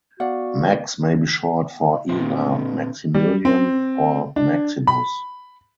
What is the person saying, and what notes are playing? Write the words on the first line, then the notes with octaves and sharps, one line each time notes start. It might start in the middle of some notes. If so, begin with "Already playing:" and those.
Max may be short for either "Maximilian" or "Maximus".
B3 F#4 D5 F5 F#5
A#2 D3 C4
G3
C4
D4
B5